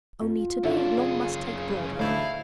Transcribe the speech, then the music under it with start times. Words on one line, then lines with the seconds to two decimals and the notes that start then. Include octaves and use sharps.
Only to-day, Long must take Broad with him.
0.21 F2 F4
0.64 G#1 D3 A3 C#4 D4
0.97 F#2 C#3 G#4
2.00 D2 A2 A3 D#4 E4 F5